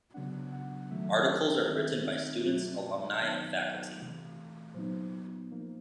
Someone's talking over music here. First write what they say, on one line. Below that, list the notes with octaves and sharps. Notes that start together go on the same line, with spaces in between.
Articles are written by students, alumni and faculty.
C#3 F#3 B3 D4 F#5
F#5
D#3 F#3 A3 E5
D#3 G3 C4 D#4 E5
B2 F#3 A3 C#4
D#3 F#3 B3 D#4 F5
C3 E3 A3
A#2 F#3 B3 D#4 C5
F3 A#3 D#4